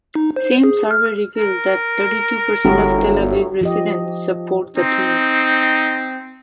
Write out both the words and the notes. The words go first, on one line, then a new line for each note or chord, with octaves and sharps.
Same survey revealed that thirty-two percent of Tel Aviv residents support the team.
D#4
C5
G#4
F6
A#4
G1 A2 F#3 G3
F3 G4 D#5
C4 D#4